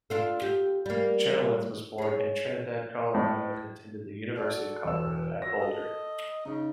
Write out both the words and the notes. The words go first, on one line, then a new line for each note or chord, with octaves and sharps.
Chenoweth was born in Trinidad, Colorado, and attended the University of Colorado at Boulder.
D4 F4 A4
G4
G3 A#3
G#4 C#5
A2
F#4 A4 D5
E1 E6
F#4 E6 A#6
A4 D#5
C#3 D#4